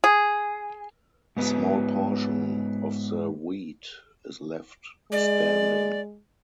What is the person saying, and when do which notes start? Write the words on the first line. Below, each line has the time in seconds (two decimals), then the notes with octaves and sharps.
A small portion of the wheat is left standing.
0.04 G#4
1.37 G#2 B3
5.12 G#3 D5